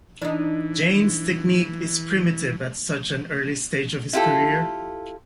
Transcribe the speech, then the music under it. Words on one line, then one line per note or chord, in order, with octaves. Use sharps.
James' technique is primitive at such an early stage of his career.
E3 D4 D#4
E4 F4 G4 A4